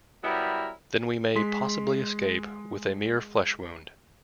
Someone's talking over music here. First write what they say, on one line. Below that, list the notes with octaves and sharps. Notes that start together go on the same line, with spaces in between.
Then we may possibly escape with a mere flesh wound.
F#3 G3 B3 E4 A#4
G#3 C6 B6